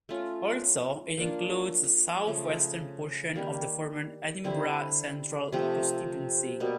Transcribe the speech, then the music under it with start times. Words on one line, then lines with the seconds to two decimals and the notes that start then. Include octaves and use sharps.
Also, it includes a south western portion of the former Edinburgh Central constituency.
0.09 A3 C#4 F4
1.18 A#3 D4 F4
2.27 C#3 F3 A3
3.36 D#3 G3 A#3
4.44 D3 G3 C4 E4
5.52 C3 F3 A3 C4
6.60 B2 G3 A#3